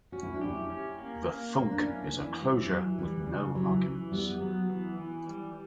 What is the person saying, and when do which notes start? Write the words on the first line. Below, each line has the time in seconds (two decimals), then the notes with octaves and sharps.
The thunk is a closure with no arguments.
0.12 C#4 F#4
0.23 E4
0.34 D4
0.41 E4 G4
0.70 C#4
0.98 A#3
1.27 A#3
1.56 A#3 C#4
1.71 D4
1.83 C#4 E4
2.12 E3 D4
2.41 E3 G3
2.69 E3 F#3
2.98 E3 G3
3.27 C#3
3.55 E3 F#3
3.84 E3
4.12 G3 B3
4.40 F#3 B3
4.69 E3
4.98 E3
5.27 G3